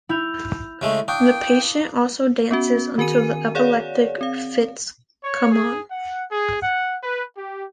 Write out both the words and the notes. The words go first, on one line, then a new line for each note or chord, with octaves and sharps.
The patient also dances until the epileptic fits come on.
E4 E6 G6 F7
C#3 G#3 A3
D4 F5 G5 C#6 D#6
B3 C#4 F#4
D#3 F#4 A#4 G#5 D#7
G#4 C#5 D5 F5 F#5
C4 F5
C#5
G#4
F#5
G#4
F#5
B4
G4